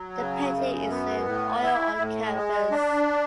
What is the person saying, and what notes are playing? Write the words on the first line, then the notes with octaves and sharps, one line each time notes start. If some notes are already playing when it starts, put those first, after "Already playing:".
The painting is in oil on canvas.
Already playing: F#3
C#3
F#2
B3
A2
E4
A2
G#3
D4